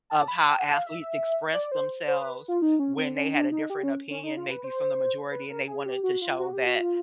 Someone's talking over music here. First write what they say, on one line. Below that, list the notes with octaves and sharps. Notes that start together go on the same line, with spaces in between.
of how athletes express themselves when they had a different opinion maybe from the majority, and they wanted to show that,
A5
B5
G5
F#5
F5
E5
D5
C5
C5
B4
F4
D#4
C#4
C4
C#4
D4
D#4
G4
C#4
C#4
D#4
F4
B4
C5
B4
A#4
G#4
G4
F#4
F4
F#4
G4
F#4
F4